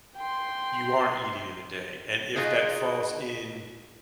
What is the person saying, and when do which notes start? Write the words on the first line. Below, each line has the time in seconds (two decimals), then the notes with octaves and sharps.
you are eating in a day. And if that falls in
0.16 G5 C6
2.36 D#4 F4 F#4 G#4